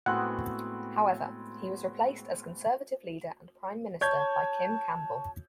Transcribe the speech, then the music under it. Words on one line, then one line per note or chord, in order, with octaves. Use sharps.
However, he was replaced as Conservative leader and prime minister by Kim Campbell.
A2 G#3 B3 C4 F#4 F#5 F#6
C#5 A5 G6 G#6